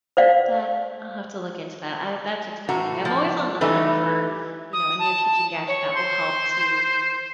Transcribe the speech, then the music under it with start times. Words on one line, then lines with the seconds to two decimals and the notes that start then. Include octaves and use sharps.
That I'll have to look into that. I that's exciting. I'm always on the hunt for, you know, a new kitchen gadget that will help to
0.17 C5 D5 F5
2.69 A2 F#4 A#5
3.05 F3
3.61 E3 G3 A3 D#4 B4
4.73 D#6
4.99 A5
5.68 C#5
5.95 C5 C6